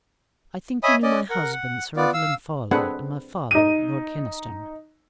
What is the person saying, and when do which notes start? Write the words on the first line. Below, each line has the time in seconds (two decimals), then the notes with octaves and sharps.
'I think you knew my husband, Sir Evelyn Fawley, and my father, Lord Kynaston.'
0.83 C#5 D#5 E5 G#5 B5 D#6
1.03 C#4 D5 D#5
1.30 A#4 F#5
1.52 F#5
1.97 B3 F4 D5
2.14 F5 E6
2.71 C4 D4 G#4 A4 B4 F#5
3.51 D#4 D#7